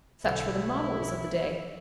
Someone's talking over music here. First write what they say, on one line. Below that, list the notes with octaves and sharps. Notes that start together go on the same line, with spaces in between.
Such were the models of the day.
B1 D3 E4 A4